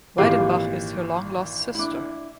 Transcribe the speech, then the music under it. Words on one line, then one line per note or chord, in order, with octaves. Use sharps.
Weidenbach is her long-lost sister.
G#1 A#2 E3 G4 B4 F5
D4 E4